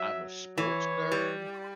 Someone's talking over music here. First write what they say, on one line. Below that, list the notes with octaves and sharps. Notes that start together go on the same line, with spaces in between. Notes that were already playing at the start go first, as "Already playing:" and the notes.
I'm a sports nerd
Already playing: F#3 E5
E3 C#5
G3